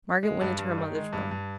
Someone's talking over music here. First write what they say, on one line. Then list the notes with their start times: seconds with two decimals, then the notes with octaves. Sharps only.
Margaret went into her mother's room.
0.23 G#3
0.41 G2
0.58 G2
0.78 D#3
0.95 G#3
1.13 G2
1.31 G2